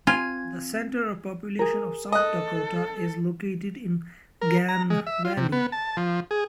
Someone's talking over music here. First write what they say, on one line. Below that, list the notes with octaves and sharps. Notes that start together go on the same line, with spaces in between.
The center of population of South Dakota is located in Gann Valley.
C4 F4 G#5
G#4 A#4
A4 D#5 F#6
A#4
A#5
G#3
E5
F4
C3
B3
A5
F3
G#4